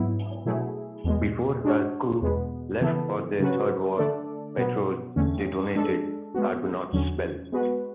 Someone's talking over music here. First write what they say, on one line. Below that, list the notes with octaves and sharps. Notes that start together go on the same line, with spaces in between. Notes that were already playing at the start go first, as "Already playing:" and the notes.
Before her crew left for their third war patrol, they donated Argonaut's bell.
Already playing: G#2 F#3 B3 E4
B2 F#3 A3 E4 G#4
E2 B2 G#3
G#3 D4 F#4 C#5
E2 B2 G#3 B3
C#3 E3 B3 E4 A4
C#3 F#3 C#4 F#4 B4
D3 A3 D4 A4 D5
B2 F#3 B3
E2 D3 A3 C#4
G#3 D4 A4
G#3 B3 F#4
E2 D3 F#3 C#4
G#3 B3 F#4 B4